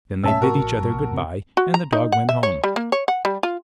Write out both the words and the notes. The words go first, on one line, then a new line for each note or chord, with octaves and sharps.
Then they bid each other good-by and the Dog went home.
F1 A#2 A3 C#4 E5 A5 E6
A2 C3 F#4 A#4 C#6
A1
G2
A#1 C3
F#2 C#3 C4
F#4
A#5
D#4
F#5
E5
C#5
G3
A#3
C#5
F#5
G3
F4